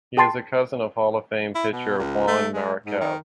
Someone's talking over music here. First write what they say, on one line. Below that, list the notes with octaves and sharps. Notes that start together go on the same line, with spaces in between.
He is a cousin of Hall of Fame pitcher Juan Marichal.
G#4 G5 A5 C6 A6 C7
E4
B2
C#2
A3
G#3
G#2
D#3